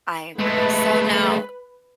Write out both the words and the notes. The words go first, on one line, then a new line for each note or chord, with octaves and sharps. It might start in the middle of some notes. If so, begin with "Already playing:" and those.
I agree. So now,
G#3 A3 B4 B5